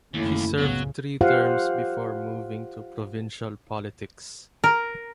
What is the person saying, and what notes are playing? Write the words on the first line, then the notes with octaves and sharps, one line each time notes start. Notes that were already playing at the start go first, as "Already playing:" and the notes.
He served three terms before moving to provincial politics.
F#1 D#2 A3 C#4 E4
C2 A2 C#3 F#3 B3
F4 G4 C5 F5 F#5
A#4